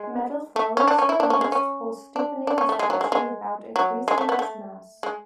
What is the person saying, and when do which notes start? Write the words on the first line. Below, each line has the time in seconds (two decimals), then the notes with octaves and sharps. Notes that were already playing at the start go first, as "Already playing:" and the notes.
Metal foams are used for stiffening a structure without increasing its mass.
Already playing: G#3
0.56 A3
0.77 C#4
0.88 D4
0.99 C#4
1.09 E4
1.20 D4
1.30 C#4
1.41 G#3
1.52 C#4
2.16 D4
2.47 D4
2.58 C#4
2.69 A3
2.79 G#3
2.90 F#3
3.01 G#3
3.12 G#3
3.76 F#3
4.08 G#3
4.18 A3
4.29 B3
4.39 A3
5.03 G#3